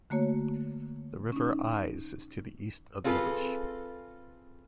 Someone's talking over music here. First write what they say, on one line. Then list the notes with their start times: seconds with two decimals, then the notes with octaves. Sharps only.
The River Ise is to the east of the village.
0.10 D3 A3 A#3 F#4 C#5
1.32 C#4 D#4
3.04 C4 F4 G#4 A4 B4